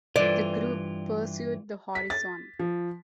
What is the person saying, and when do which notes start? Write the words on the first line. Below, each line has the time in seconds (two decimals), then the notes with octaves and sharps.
The group pursued the Horizon.
0.16 G2 E3 F4 D5
1.95 B6
2.10 A6
2.59 F3